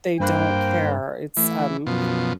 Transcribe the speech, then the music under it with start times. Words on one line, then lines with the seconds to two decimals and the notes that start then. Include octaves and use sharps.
they don't care. It's, um
0.20 G2 A#3 C5 G5 B5 F#6
1.37 E3 A3
1.87 F#2 B2 F3